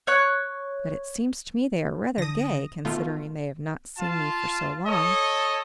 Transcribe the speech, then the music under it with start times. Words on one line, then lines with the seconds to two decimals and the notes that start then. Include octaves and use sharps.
But it seems to me they are rather gay, considering they have not seen me for so long.
0.07 C#5 F#6
2.18 D3 D#6 A#6
2.85 B2 D#3 A3 F4
3.98 F4 A5
4.87 A4 C#5 D#5